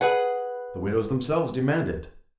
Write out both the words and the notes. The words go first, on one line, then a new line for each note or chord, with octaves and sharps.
The widows themselves demand it!
G#4 B4 F#5